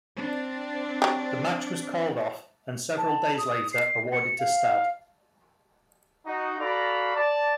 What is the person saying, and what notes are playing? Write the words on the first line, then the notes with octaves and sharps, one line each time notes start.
The match was called off, and several days later, awarded to Stade.
C4 D4
F#3 G4
A5
D#6
C7
C#7
F5
D#4 F#4
F#4 A4 D5 F5 A#5 B5
D5 A5